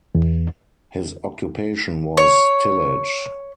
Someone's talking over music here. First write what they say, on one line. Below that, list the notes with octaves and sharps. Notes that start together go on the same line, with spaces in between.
His occupation was tillage.
E2
C#5